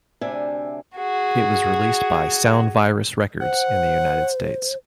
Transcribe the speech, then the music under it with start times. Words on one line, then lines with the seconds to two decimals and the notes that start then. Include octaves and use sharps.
It was released by Sound Virus Records in the United States.
0.21 D2 C3 D4 E5 G#5
0.96 F#4 G#4
3.41 C5 F#5